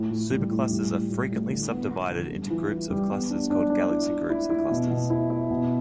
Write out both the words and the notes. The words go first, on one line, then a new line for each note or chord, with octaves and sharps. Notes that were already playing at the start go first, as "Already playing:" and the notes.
Superclusters are frequently subdivided into groups of clusters called galaxy groups and clusters.
Already playing: A2
A2
G3
A2
G3
A2
A2
A2
D3
B3
B3
D3
G3
E3
E3
G3
B3
D4
D4
D4
E4
E4
E4
E4
B2
B2
E4
E4
B2